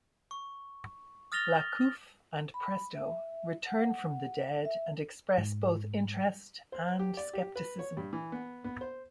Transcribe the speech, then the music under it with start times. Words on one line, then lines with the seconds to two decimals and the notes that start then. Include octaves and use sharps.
Lacouf and Presto return from the dead and express both interest and scepticism.
0.31 C#6
1.32 D#6 F6 A6 A#6 F7 G7
2.54 B5
2.95 E5
3.66 F#5
4.65 E5
5.38 G#2
6.72 C5
6.99 G4
7.17 D5
7.33 G4
7.56 B4
7.79 C#5
7.97 G2
8.13 E3
8.32 B3
8.64 B3
8.81 C5